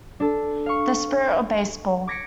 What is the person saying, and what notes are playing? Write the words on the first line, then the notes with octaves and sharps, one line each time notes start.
The Spirit of Baseball.
D4 A4
F5 C#6
D6 G#6 A#6 B6 C#7 D7